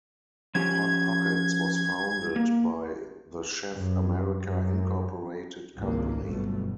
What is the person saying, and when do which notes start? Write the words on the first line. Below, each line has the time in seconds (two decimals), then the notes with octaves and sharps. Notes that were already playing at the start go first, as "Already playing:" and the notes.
Hot Pockets was founded by the Chef America Incorporated company.
0.55 F3 C#4 G4 G#6
2.36 A#3
3.74 F#2
4.44 F#2
5.77 G#1 C#2 G#2 C3 A#3
6.25 G1 F2 B2 F#3 A3